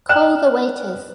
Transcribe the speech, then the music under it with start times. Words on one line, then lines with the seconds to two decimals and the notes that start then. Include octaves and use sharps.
Call the waiters!
0.09 D5 G5 F6 F#6 E7